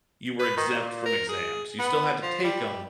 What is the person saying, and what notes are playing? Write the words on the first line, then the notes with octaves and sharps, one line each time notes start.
you were exempt from exams. You still had to take 'em,
B4
D#3
A#2
A#4
G#4
B3
F3
G3